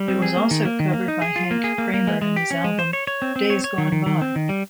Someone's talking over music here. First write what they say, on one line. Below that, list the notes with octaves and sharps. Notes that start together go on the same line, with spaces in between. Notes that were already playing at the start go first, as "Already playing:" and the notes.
It was also covered by Hank Cramer in his album, "Days Gone By".
Already playing: G3
C4
G#4
A#3
D#3
A#3
D#3
A#3
D#4
G#4
F4
A#3
G#4
A#3
A#3
G#3
G#3
G4
C#4
G#3
C5
C#5
C#5
C4
C4
C#5
C#5
D#3
D#3
D#3
C4
D#3
G3